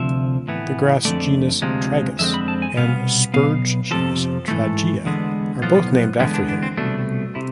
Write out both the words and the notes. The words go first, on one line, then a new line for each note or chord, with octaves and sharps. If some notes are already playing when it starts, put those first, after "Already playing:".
The grass genus "Tragus" and spurge genus "Tragia" are both named after him.
Already playing: D2 C3 F3 E5
A2 E3 B3
F2 D3 A3 D5
D2 C3 F3 G#3
F2 D3 G#3 C4 E5
B5
A5
G#5
C2 B2 B3 F5
B1 B2 B3 F5
F2 C3 F3 A4
G#2 E3 A3 A4
E2 D3 G#3 B3
B1 A2 F3 B3 F4
E2 D3 G#3 B3 E4
D4
D4
C4
C2 B2 A3 D4
C3 E4